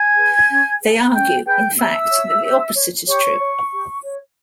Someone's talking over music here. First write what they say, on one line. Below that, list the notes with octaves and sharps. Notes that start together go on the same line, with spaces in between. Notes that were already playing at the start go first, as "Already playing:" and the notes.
They argue, in fact, that the opposite is true.
Already playing: G#5 G#6
G#4 B4
C#4
G#4 B4
C#4 G5 G6
G#4 B4 G5 G6
G4 E5 E6
C#5
G4
C#5
G4 C#5 C#6
C#5
G4
C#5